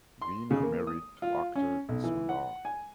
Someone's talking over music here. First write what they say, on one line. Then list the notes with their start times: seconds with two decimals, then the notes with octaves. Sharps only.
Veena married to actor Sundar.
0.22 C6
0.51 C#3
0.63 A#3
0.87 D#6
1.22 F4
1.55 C#4
1.89 B1
2.04 E3
2.29 F#5
2.65 G#5